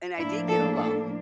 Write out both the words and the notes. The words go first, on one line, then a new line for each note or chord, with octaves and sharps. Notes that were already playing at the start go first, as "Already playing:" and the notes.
and I did get a loan
A2 F3 A#3 D4 E4
A4
A4